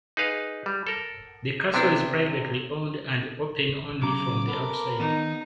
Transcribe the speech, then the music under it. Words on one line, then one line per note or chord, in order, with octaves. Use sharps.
The castle is privately owned and open only from the outside.
D#4 G#4 B4 F5
G3
A4 A#4
C3 B3 C4 D4 E4
B1 C#3 A#5 D6
B3 A4 A#4
D#3 B3 D#4